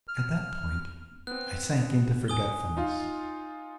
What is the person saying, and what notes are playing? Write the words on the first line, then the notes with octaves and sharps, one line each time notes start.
At that point I sank into forgetfulness.
F6
B3 C4 F#6
G#5 D#6 G7
D#4 F4 F5